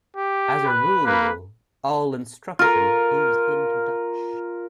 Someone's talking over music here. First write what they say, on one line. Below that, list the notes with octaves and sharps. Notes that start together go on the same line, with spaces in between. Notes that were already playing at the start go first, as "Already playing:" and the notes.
As a rule, all instruction is in Dutch.
G4
B4
A#3 B4
F4 A#4